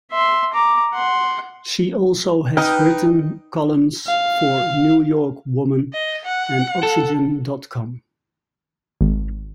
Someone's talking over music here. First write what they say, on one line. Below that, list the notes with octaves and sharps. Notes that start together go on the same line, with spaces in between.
She also has written columns for "New York Woman" and "oxygen dot com".
E5 C6
A#5 D6
F#5 C6
D#4 B4 G5 F6
F5
D#5
F#5
A4
G#1